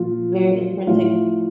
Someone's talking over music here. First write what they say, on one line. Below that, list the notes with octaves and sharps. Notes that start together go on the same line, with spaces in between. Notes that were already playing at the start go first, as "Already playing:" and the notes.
very unpretic
Already playing: A#2 F3 F4
A2 F3 F4